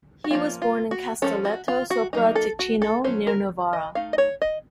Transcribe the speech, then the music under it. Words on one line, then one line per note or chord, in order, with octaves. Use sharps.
He was born in Castelletto sopra Ticino, near Novara.
F#4
F3 A#3 C#4 F4
F4
F#4
F3 A3 C#4 A4
F#4
F4
F#4
F#3 A#3 D#4
A4
F#4
A4
F#3 A3 C#4 C5
A#4
D#5
A3 D#4 F5
D#5
C#5
D#5